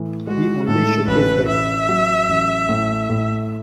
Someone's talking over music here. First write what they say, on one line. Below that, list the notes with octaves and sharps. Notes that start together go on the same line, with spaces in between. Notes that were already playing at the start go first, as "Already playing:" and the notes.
He only shook his head.
Already playing: A2 E3
G#3 F#4
A2 A4
A1 B4
A1 E5
F#3
A1
A2
A2